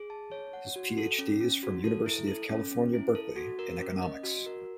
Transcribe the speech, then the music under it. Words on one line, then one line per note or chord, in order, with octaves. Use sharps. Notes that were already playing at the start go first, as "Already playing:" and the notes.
His Ph.D is from University of California, Berkeley in economics.
Already playing: G#4
A5
C#5
F#5
F#4
A4
C#4
C#4
F#4
A4
E4
A4
C#4
C#4
E4
A4
F#4
A#4
C#4
D#5
F#4
A#4